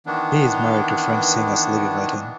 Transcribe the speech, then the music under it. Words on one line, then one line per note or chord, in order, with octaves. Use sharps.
He is married to French singer Sylvie Vartan.
D#3 E3 B3 D4